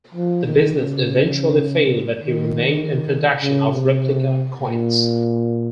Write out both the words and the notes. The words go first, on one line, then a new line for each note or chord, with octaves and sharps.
The business eventually failed but he remained in production of replica coins.
F3
D#3
C#3
D#3
C#3
C3
A#2